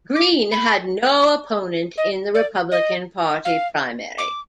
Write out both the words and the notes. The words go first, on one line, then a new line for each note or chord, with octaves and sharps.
Green had no opponent in the Republican Party primary.
D6
B5
D#5
D5
D#5
F5
D6